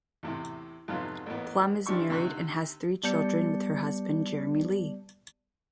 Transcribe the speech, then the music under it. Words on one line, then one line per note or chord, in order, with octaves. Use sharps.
Plumb is married and has three children with her husband, Jeremy Lee.
E2 A2 C3
F2 G#2 C3 F#3 B3 F4
A1 A2 A#3 B3
D#3 F3 D4 G4 C#6 E6
D2 C3 D#3 C4 C#6 F#6
G3 B3 D5 A5 G6 C#7